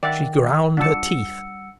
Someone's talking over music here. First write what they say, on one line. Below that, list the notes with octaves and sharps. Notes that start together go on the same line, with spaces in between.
She ground her teeth.
D#3 D5 E5 F#5 G5
G3 D4 F4 F#5 A5 E6 C#7